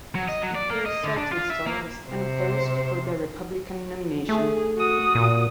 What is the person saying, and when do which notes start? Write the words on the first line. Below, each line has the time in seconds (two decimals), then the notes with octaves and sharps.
Speaker Saltonstall was unopposed for the Republican nomination.
0.15 F#3
0.29 D#5
0.42 F#3
0.55 D5
0.70 A#3
0.86 D#5
1.04 D3
1.17 D4
1.32 F4
1.50 E5
1.66 A#3
2.07 C3 C5
4.29 A3 G#4
4.78 F#4 D#6
5.15 A#2